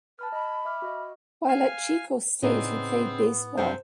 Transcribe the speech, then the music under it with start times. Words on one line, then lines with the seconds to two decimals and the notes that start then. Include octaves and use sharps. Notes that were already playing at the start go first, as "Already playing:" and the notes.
While at Chico State, he played baseball.
0.19 B4 A5 B5 F6
0.32 D#5 B5
0.65 E5 D6 F6
0.82 F#4 D#5 F5
1.49 F5 G#5
2.42 A2 C#3 B3 C4 D4 D#4
3.57 F#2 C3 D4 C5